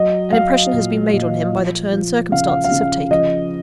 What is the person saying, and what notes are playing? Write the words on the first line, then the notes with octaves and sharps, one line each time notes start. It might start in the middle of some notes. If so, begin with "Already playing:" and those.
An impression has been made on him by the turn circumstances have taken.
Already playing: F#3 D#5
F#3 F5
A#2
A#2
F3
F3
C#3 F5
F5
F5
C#3
F5
F3 D#5